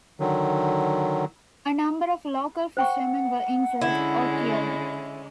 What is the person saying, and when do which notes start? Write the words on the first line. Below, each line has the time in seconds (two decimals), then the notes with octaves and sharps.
A number of local fisherman were injured or killed.
0.20 D3 D#3 F#3
2.77 C5 F#5 G5 C#6
3.81 D3 G#3 C#4 E4